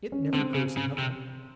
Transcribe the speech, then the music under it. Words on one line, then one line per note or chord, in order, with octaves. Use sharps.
It never grows another.
C#4
D3 C4
C#3
C#3
C3